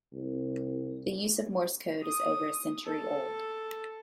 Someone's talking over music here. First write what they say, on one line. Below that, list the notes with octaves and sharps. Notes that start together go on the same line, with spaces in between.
The use of Morse code is over a century old.
C2
D#6
A4